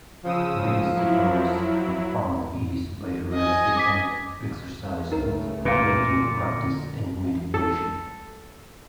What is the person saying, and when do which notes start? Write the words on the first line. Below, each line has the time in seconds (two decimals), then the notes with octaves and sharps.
Many sufferers have found ease by relaxation exercises, deep breathing practice and meditation.
0.25 C#3 F3 D#6 E6
0.95 F#3 E4
3.35 D#5 G#5
3.77 D6 B6
5.12 C#2 C#3 A3 D#4 A#4
5.65 A#2 B4 F5
6.11 D3
7.54 A4